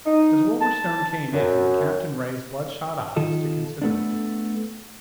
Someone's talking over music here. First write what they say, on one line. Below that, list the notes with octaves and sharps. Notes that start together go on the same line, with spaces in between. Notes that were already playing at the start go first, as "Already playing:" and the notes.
As Wolverstone came in, the Captain raised bloodshot eyes to consider him.
D#4
A5
F#2
D#3 F4 A4 D#5
A3 B3 D4